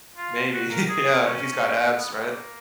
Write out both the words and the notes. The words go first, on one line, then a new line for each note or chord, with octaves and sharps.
Maybe, yeah, if he's got ads, right?
F4
F#4
A#4
G#4
C#4
B3
F#3
A#3